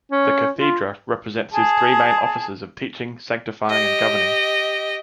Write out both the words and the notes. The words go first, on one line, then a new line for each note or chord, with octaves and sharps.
The Cathedra represents his three main offices of teaching, sanctifying and governing.
C#4
F4
G#4 A5
G4 D#5